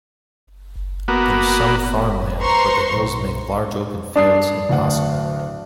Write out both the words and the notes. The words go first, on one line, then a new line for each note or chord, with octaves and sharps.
There is some farmland, but the hills make large open fields impossible.
A#3 B3 F#4
B4 C5 A#5 C6 C#6
B1
G2 D4 D#6 C7
D1 D2 F#5